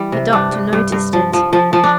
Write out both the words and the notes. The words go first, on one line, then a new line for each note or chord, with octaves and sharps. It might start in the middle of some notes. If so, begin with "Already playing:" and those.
The Doctor noticed it.
Already playing: E3 G3
C3
G2 D4
G2
G2
G2
F3
F3
F3
F3
D4